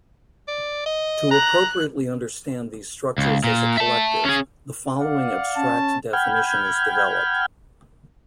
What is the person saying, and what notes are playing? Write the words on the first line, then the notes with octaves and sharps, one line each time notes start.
To appropriately understand these structures as a collective, the following abstract definition is developed.
D5
D#5
A#5 F#6
C#2
A#2
E5 A5
C#4 G#4
D5 F5 F#5
C#4 A5
F#5 G5 B5 F6 G6 G#6